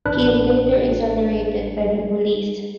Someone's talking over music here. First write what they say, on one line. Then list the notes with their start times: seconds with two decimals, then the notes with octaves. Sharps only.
He is later exonerated by the police.
0.06 A1 D4 B4 F#6